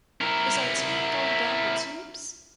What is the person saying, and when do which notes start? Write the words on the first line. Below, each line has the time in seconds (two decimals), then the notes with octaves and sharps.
Is our team going down the tubes?
0.21 E4 A#4